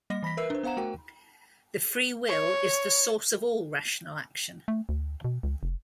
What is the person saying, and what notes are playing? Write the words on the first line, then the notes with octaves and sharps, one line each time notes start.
The free will is the source of all rational action.
G3 A#3 D#5 A#6
E3 B5 A#6 B6
A#4 B4 E5 E6 C7
D4 C5
B3 C5 F5 F#5 A#5 E7
A3 F#4 A#4 G5
C#5
A3
D2
B2
C#2
F1